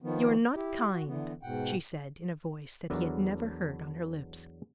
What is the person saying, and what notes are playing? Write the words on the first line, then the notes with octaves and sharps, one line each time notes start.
"You're not kind," she said in a voice that he had never heard on her lips.
D#3 F3 B3
E4 G4
F#4
D3 E3 B3
G#2 B2 F#5 G5
E2 F#3 B3 D4 A4 A#4